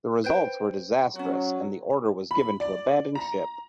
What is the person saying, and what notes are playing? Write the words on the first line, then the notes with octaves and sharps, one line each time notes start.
The results were disastrous and the order was given to abandon ship.
B4 C5 G5
F#3 C#4 F#4
B5
D5
A#5